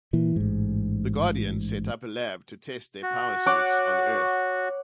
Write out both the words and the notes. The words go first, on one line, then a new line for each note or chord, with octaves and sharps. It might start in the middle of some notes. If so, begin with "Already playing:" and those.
The Guardians set up a lab to test their power suits on Earth.
A#2 E3
A1 G#2
F#4
C#5 F#5 D6